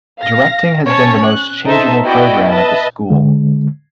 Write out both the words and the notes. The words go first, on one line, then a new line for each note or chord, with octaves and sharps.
Directing has been the most changeable program at the school.
F5 A#6
C#4 C#5 A5
F#6
D#4 A4 C5 E5 A5
B3 E4 F#4 D5 D#5 G5
B4 D#5 E5 A5
D3 G#3